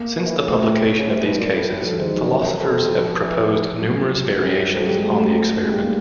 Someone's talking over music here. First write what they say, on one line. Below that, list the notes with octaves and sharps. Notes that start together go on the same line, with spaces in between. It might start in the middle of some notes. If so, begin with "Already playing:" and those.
Since the publication of these cases, philosophers have proposed numerous variations on the experiment.
Already playing: A#3
B2
E3
C#3
C3 A3
C#3
C3 G3
G3
B2 F#3
A#2 F#3
A2
G3
F#3
F3
E3
G#2 D#3
G3
G2
F#2
F2
F3
E2
F#3
F#3
F#2 G3
F2
F#3
G3
G#3
F2 A3
G#3
G3
G#3
A#3